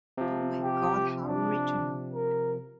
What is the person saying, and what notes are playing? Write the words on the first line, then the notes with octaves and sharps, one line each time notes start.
Oh, my God, how original.
C3 F3
G4
D4
A#4